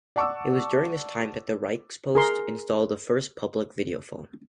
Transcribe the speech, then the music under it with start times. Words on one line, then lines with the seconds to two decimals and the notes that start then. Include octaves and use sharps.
It was during this time that the Reichspost installed the first public videophone.
0.16 D5 F#5 A5 C#6 D6 E6
2.15 G#4 A#4 C6